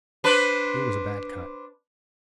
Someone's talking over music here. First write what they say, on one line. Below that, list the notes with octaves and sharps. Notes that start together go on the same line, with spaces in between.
It was a bad cut.
D4 B4 C5